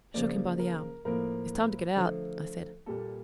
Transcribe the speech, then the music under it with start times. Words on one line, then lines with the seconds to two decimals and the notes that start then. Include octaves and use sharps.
I shook him by the arm, 'It's time to get out,' I said.
0.14 C#3 F3 A#3 D5
0.59 A#4
1.05 A2 F3 A#3 A#4
1.96 D3 F3 A3
2.86 A#2 G3 A#3 A4